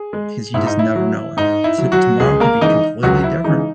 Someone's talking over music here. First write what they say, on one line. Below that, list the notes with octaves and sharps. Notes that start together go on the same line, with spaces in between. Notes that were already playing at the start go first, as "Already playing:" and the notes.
'cause you just never know. T tomorrow could be completely different
Already playing: G#4
G#3
G#2 E4
D#4
E4
F#3
G#2 D#4
E4
F#3
F#3 F#4
C#2 G#3 G#4
A#3 A#4
C#3 E3 G#3 D#4 D#5
C#2 F#3 F#4
E4
C#3 E3 G#3 D#4